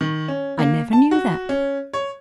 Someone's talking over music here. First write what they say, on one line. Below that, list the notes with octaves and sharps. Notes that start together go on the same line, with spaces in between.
I never knew that.
D#3
C#4
A#3
A5
F#4
C#4
C#5